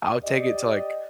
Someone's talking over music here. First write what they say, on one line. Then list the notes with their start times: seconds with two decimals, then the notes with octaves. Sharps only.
I'll take it to, like,
0.23 G4 D5 D#5